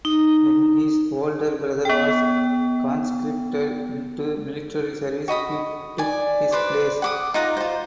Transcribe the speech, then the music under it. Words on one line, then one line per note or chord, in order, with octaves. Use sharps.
When his older brother was conscripted into the military service he took his place.
D#4
B3 G5
F#4 D#5 B5 D#6
D5 G#5
B4 C5 D5
F#5 D6 D#6
D#4 F4 F#5 A#5
F4 C5